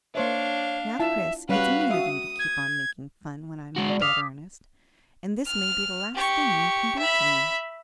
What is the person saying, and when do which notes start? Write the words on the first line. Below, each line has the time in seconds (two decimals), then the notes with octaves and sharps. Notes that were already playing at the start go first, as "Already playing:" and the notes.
"Now, Chris, it's mean of you to keep on making fun when I'm in dead earnest; and this may be the last thing you can do for me."
0.15 A#3 D4 C5 C#5 E5 F5
0.99 E4 F4 E5 A5
1.49 G3 C#4 F#4 B4 F5
1.90 F#4 E5 D#6
2.39 G#6
3.76 G#3 F#4
3.90 D5
4.02 F5 D6 D#6 B6
5.46 F6
6.15 G4 C#6
6.99 E5 B5